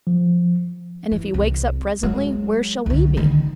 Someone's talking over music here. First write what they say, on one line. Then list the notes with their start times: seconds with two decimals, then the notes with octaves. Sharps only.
And if he wakes up presently, where shall we be?
0.07 F3
1.11 E3
1.34 C2
2.03 F#3 G#3
2.86 C2 D3
3.17 D3 D#3